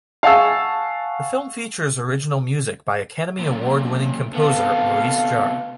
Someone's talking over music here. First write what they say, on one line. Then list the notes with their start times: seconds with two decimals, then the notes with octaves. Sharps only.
The film features original music by Academy Award-winning composer Maurice Jarre.
0.23 F5 F#5 G#5 A5 C#6 E6
3.39 F#2 A#2
4.34 C3 B3 A4 F5